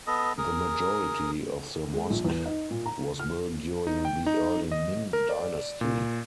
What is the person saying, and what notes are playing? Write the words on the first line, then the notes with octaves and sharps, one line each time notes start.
The majority of the mosque was built during the early Ming dynasty.
B3 A4 D#5
G#4 A#4
G#3
A#1
E2
D#4
A#2
A#5
F6
D#4
G5
D#4
D#5
A#4
D5
A#2